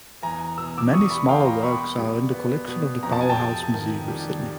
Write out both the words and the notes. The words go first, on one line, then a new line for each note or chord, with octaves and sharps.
Many smaller works are in the collection of the Powerhouse Museum, Sydney.
E2 G#5 A#5
B2 E6
D6 E6
G3 C#6 D#6
B5 C#6
A#3 F5 G5
A#5 C6
B2 B5 C#6
G3
B3
B2
F2 A#5
A5
G#5
G5 A5
C3
D#3
G3